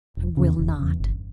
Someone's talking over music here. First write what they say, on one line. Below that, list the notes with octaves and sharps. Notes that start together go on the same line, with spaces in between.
"I will not!"
E1
E2 C#3
E1
E2 C#3
G1